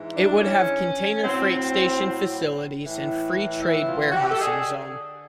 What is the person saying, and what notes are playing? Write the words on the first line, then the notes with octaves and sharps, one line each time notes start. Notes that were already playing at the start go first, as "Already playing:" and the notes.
It would have container freight station facilities and free trade warehousing zone.
Already playing: G#2 E3
D4
C#4
A2 F#3 C4
A2 E3
E4
F4
F#4
G4
A4
D3 G#4